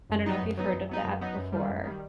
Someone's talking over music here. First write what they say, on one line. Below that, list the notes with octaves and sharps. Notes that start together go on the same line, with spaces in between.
I dunno if you've heard of that before
F#2
F#3 B3 D#4
F#2
F#3 B3 D#4
F#2
F#3 B3 D#4
F#2
F#3 B3 D#4
F#2
D#3 G3
F#2
D#3 G3